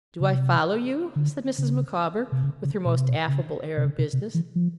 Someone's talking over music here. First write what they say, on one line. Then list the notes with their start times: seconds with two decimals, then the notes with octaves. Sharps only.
'Do I follow you?' said Mrs. Micawber, with her most affable air of business.
0.20 C#3
0.32 C3
1.16 D3
1.58 C#3
2.32 C3
2.43 C#3
2.64 C#3
2.85 B2
2.97 C3
3.09 B2
3.28 C#3
3.77 C3
3.85 C#3
3.98 C3
4.13 C3
4.34 E3
4.56 F3